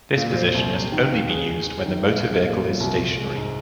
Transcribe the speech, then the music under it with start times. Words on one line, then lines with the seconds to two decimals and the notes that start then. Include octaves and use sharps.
This position must only be used when the motor vehicle is stationary.
0.17 A#2
0.36 C5
0.54 C2
0.73 C3
0.92 D#3
1.11 D#2
1.29 G#4
1.48 G#4
1.67 G#4
1.86 D#3
2.05 A#1
2.23 G#3
2.42 A#2
2.61 F3
2.80 C2
2.98 C2
3.17 G#3
3.36 G#2